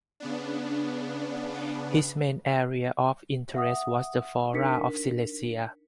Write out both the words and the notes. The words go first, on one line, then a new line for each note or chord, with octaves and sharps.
His main area of interest was the flora of Silesia.
C#3 B3 D4
E5 F#5 D#6
D4 D#4 A#4 B6 C#7